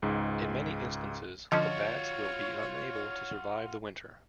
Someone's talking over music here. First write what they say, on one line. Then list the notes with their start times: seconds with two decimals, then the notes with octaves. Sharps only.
In many instances the bats will be unable to survive the winter.
0.02 C#2 G#2
1.52 D3 F3 C#4 F4 F#4 C#5 D#5